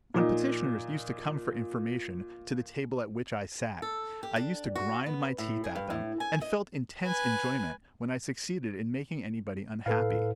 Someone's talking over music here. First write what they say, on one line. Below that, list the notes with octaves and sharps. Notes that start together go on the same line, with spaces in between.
When petitioners used to come for information to the table at which I sat, I used to grind my teeth at them, and felt intense enjoyment when I succeeded in making anybody unhappy.
A#2 F3 D#4
A4
G4
D4
F#4
B3
A2
G#4
G2
A2
G#5
D#5
B4 G#5
A2 A4 B4 F5